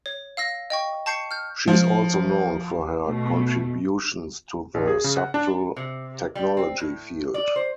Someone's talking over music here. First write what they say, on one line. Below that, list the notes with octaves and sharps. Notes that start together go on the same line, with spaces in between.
She is also known for her contributions to the subtle technology field.
C#5
F5 E6 A#6
D#5 G5 C#6
A5 C#6 G6 C7 C#7
F6 G6
F3
B2 A3
A#1
G#4
C#3
F#5
D4
C3
G3
C4
A2
D5
C5